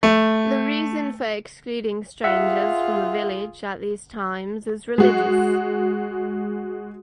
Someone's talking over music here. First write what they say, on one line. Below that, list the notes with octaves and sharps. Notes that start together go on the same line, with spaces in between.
The reason for excluding strangers from the village at these times is religious.
A3
F4 G#4 E5 F#5
G#3 F#4